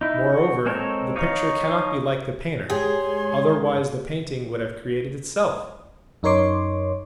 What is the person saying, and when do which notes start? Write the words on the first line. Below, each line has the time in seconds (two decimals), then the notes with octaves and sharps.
Moreover, the picture cannot be like the painter; otherwise, the painting would have created itself.
0.01 D#4 E4
0.33 F#4
0.66 G#3 C4 A4 A#4 C#5
1.16 D#4 C#5 D#5 F5 A#5
2.70 G#2 G#3 G4 G#4 C#5 G#5 C6
6.23 F#2 D#4 A#4 C#5 C6 D6